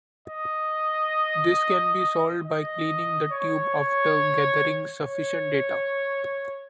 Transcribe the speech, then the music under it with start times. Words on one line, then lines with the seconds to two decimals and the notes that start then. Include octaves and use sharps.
This can be solved by cleaning the tube after gathering sufficient data.
0.28 D#5
2.45 D#5
3.31 C#5
3.74 C#5
5.05 C#5